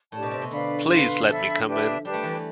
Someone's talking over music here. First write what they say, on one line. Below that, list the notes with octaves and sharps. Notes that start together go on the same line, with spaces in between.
Please let me come in.
A2 D4 G4 D5 A5
B2
C3
B2
D3 B4 D5 F5 B5
B4 F5 C6
D3 F3 A4 E5 B5
D4 G4 B4 E5
G3 D4 G4 B4
A3
E3 G3